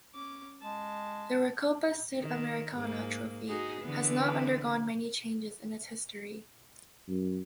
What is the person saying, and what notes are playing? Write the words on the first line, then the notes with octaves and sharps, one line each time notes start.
The Recopa Sudamericana trophy has not undergone many changes in its history.
C#4 D6
G#3 A5
D#3
G#2 A#3
D#4 F#4 G#4
D3 E3 B3
F#2